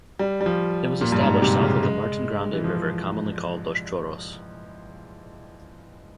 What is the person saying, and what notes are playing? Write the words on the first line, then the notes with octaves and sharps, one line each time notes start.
It was established south of the Martin Grande river commonly called Los Chorros.
G3
G3
F3
A#2
G2
G#2
C3
C#3
G#3
E3
F3